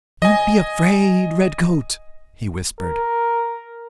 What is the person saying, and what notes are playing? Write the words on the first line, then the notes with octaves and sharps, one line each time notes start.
"Don't be afraid, Redcoat," he whispered.
D#5 G#5
A#4